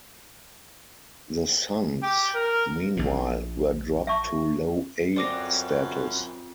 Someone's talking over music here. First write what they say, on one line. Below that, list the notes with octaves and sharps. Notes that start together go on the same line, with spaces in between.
The Suns, meanwhile, were dropped to Low-A status.
G4
A#4
A#1 A#2
E5 A5 C#6
F#2 C4 F4 C5 D5 D6 A#6